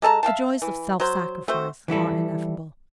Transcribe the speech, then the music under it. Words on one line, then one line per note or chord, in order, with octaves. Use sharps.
The joys of self-sacrifice are ineffable.
G#3 A4 A5 A#5
E5 F5 G5 A5
E3
F#3 C5
A3 C4 F#4 C5
E3 G3 E4 A4